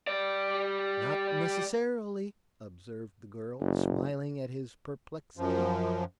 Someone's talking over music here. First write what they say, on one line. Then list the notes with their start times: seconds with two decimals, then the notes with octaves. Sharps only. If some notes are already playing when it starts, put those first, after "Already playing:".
"Not necessarily," observed the girl, smiling at his perplexity.
0.07 G3 D5
3.60 F#1
5.37 F#2 F3